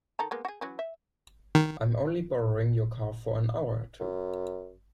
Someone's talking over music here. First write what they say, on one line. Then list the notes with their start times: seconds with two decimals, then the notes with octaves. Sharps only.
I’m only borrowing your car for an hour or two.
0.19 D#3 A4 A#5
0.31 G#3 A#3 B3
0.45 F#4 G#4
0.61 E3 F#3 C#4
0.79 E5
1.55 D#3
4.00 F#2